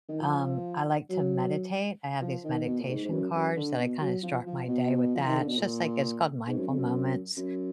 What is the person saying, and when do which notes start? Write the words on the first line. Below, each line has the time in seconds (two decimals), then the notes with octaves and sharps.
Um, I like to meditate, I have these meditation cards that I kinda start my day with that, it's just, like it's called Mindful Moments,
0.09 D#3
0.20 F3
1.10 F#3
2.22 F3
2.44 D#3
2.66 B2
2.80 A#2
2.88 G#2
3.05 G#2
3.11 F#2
3.34 F#2
3.56 D3
3.78 B2
4.01 F#3
4.23 F3
4.46 F3
4.68 B2
5.15 F3
5.26 D#3
5.36 D3
5.47 B2
5.58 A#2
6.47 G#2
6.57 F#2
6.67 F2
6.76 F#2
7.36 F#2